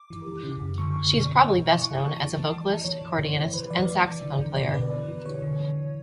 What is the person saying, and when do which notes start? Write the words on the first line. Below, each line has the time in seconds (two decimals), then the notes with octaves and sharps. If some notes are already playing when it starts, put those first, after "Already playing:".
She is probably best known as a vocalist, accordionist and saxophone-player.
Already playing: D6
0.10 E3
0.27 E3
0.44 C#3
0.61 F#2
0.78 D3 C#6
0.96 D3
1.13 B2
1.30 B2
1.48 E3
1.65 E3
1.81 E3 C#6
1.99 E3
2.16 E3 A5
2.34 E3
2.51 E3
2.68 E3
2.84 E3 C#5
3.02 E3
3.19 E3
3.37 E3
3.54 E3 B4
3.70 E3 D5
3.88 E3
4.05 E3
4.22 D3
4.39 D3
4.56 B2 D5
4.73 B2 B4
4.90 E3
5.08 E3
5.25 D3 C#5
5.42 D3
5.59 E3
5.76 E3